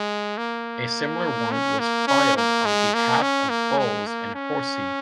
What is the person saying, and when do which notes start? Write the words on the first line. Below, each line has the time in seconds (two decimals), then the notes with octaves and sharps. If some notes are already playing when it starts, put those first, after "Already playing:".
A similar one was filed on behalf of Bowles and Horsey.
Already playing: G#3
0.38 A#3
1.52 C#4
1.79 A#3
2.08 C#4
2.37 A#3
2.65 G#3
2.94 A#3
3.22 C#4
3.50 A#3
3.78 G#3
4.07 A#3
4.35 C#4